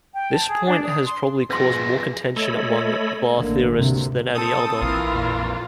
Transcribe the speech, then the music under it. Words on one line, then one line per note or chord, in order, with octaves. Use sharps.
This point has probably caused more contention among VaR theorists than any other.
G5
A5
G#4
D4
D#6
C6
F3 B3 G#4 B4 C6 A#6
A3 A4 C#5 D#5 B5
A1 D3 A#3
D2 G#2 C3
C4 A4 D#6
A#1 E3 E4 F4 A#4
F2 A#2